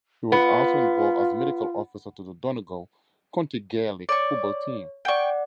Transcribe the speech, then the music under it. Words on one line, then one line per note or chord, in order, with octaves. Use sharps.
He was also involved as medical officer to the Donegal county Gaelic football team.
B3 F4
C#5 D5 C#6
D5 F#5 G5 C#6